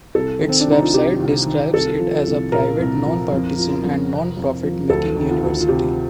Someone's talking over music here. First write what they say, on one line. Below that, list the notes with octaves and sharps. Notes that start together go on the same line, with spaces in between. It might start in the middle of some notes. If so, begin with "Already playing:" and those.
Its website describes it as a private, nonpartisan and non-profit making university.
C2 A4
D#3
C4
D4
C2 D#4
F4
C3 G4
C2
D#3
C2 A4
F3
C2
A#2 A#4
C2
F3
F2
F3
F2
C3
F2
F3
D2 A4
D#3
F4
D2
F4
C3 G4